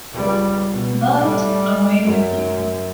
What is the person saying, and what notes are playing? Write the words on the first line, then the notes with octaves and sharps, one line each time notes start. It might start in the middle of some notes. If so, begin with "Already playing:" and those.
But, away with you!
C#2 G3
B2
A2 G3
F#2